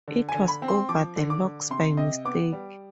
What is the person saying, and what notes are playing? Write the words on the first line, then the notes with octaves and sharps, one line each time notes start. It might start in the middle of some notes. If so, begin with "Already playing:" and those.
It was over the locks by mistake.
D3
G#5
D3
B5
C4
C6
F3 D6
D3
D6
D3
C3 C6
C3 D#5
B3 D6
G3